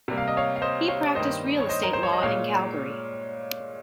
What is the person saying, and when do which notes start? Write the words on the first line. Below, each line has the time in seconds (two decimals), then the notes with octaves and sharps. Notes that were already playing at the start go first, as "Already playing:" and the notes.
He practised real estate law in Calgary.
0.08 C3 G3 A#3
0.18 F5
0.28 D#5
0.37 C#5 F5
0.56 F5
0.62 C5 D#5
0.88 C#5 F5
1.15 G2 D#3 G3 A#3 C5 D#5
1.60 C#5
1.69 C5 D#5
1.83 A#4
1.93 C5
2.03 C#5
2.13 D#5
2.23 A#2 G#3 C#5 F5